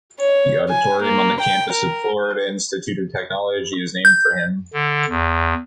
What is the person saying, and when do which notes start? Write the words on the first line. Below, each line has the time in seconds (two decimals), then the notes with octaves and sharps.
The auditorium on the campus of Florida Institute of Technology is named for him.
0.19 C#5
0.69 G#5
1.02 A#3
1.40 G5
1.72 A#4
4.05 G6
4.73 D3
5.09 E2